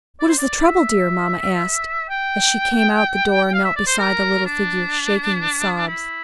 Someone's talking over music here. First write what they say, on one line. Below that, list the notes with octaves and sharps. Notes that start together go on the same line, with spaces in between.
"What is the trouble, Dear?" Mamma asked, as she came out the door and knelt beside the little figure shaking with sobs.
D5
C5
D5
E5
G5
F5
E5
D5
C5
A#4
D4
E4